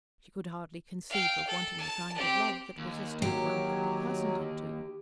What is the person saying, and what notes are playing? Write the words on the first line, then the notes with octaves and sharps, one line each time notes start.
She could hardly conceive of wanting the kind of love that was a state one could be cozened into...
F5 G5
A4
A5
C4 G4
D#2
F#3 G4